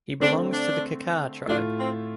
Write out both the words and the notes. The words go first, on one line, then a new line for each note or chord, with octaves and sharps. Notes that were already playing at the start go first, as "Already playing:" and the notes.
He belongs to the Kakar tribe.
D3 A3 C4 D4
D4
A2 A3 D4 F4
C4